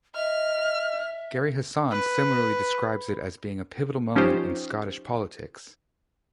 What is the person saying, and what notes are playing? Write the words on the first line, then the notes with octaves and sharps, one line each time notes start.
Gerry Hassan similarly describes it as being a pivotal moment in Scottish politics.
D#5 E5 F6
B4
F3 C#4 D#4 F4 G4 C5